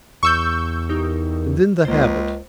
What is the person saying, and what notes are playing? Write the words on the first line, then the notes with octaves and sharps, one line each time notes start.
And then the habit!
E2 C#6 E6 G6
D#4 G4 A#4
C#2 A#3 C5